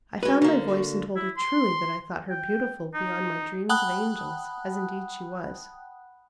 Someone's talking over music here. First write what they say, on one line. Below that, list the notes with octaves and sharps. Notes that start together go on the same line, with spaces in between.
I found my voice and told her truly that I thought her beautiful beyond my dreams of angels--as indeed she was.
G#3 F#4 B4
D3 A#3
F#4
E4
C6
G5
D#4
F#5 G5 A5 B5 D#6 F#6